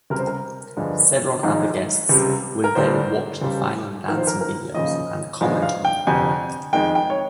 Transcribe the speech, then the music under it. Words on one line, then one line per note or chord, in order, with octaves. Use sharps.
Several other guests will then watch the final dancing videos and comment on them.
C#2 C3 G3 A#4
C5
A#4
G1 G2 F3 G#3
G#1 G#2 F3 G#3
C#2 C3 G3
A#4
G1 G2 G3 C5
C#2 C#3 G3
G#1 G#2 F3 A#4
C5
A#4
A#4
D#2 C#3 F3 D#5
G#1 G2 F3 G#3
F5
G5
G1 F2 C3 G#5
F2 D#3 G#3 G5
G5
C#5